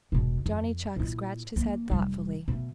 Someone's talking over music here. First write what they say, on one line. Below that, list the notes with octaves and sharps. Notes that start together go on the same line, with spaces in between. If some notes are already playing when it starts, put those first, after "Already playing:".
Johnny Chuck scratched his head thoughtfully.
E1 B2
F2
A#2 E4
E3 A#3
F1 G3
B2 A3